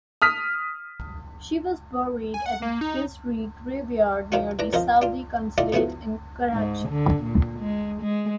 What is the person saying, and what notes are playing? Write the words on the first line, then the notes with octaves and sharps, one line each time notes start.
She was buried at the Gizri Graveyard near the Saudi Consulate in Karachi.
D#6 F6 B6
G#5
F#5
A#3
D#4
D#3 F3 D4 F4 F#4
E3 D4 A#5
F2 F3 A#4 C5 D#5 F5
D4 F4
A3 E4 F4 D5 D#5
C#3 F3 B3 E4 F#4
G#2
D3
A#2
G#3
G#3